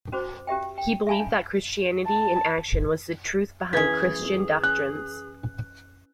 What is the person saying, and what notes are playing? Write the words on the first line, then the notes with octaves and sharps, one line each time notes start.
He believed that Christianity in action was the truth behind Christian doctrines.
C#4 F#4 C5 D6
C#4 G4 E5 G5
G5
E5 F5 G#5 A5 B5
D4
A5
E3 C#4 G#4 G#6 B6
C#4 F#6